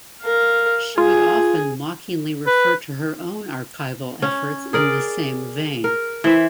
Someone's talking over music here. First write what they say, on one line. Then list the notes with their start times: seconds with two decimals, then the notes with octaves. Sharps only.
She would often mockingly refer to her own archival efforts in the same vein.
0.23 A#4 F5
0.98 F4 G#4
2.47 B4
4.22 C#4
4.73 G#4 A#4 D5
5.84 A#4
6.24 E3 C5 E5